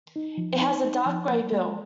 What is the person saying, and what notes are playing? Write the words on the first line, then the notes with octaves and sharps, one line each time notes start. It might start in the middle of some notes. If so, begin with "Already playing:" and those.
It has a dark grey bill.
D#4
F3
D#4
D#4
F3
A#3
G#3